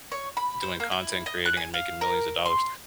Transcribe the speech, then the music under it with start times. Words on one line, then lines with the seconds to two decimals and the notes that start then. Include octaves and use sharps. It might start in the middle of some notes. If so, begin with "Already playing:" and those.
doing content creating and making millions of dollars;
0.12 C#5
0.37 B5
0.62 C5
0.80 A#3
0.91 E4
1.26 D#5
1.46 F#6
1.57 G#5
1.74 F5
2.01 A#4
2.46 C6